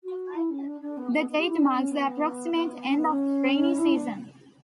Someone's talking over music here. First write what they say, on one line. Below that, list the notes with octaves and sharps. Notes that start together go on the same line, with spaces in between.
The date marks the approximate end of the "rainy season".
F#4
E4
C#4
D4
D4
B3
B3
B3
G4
E4
D4
C#4
B3
B3
C#4
B3
C#4
E4
D4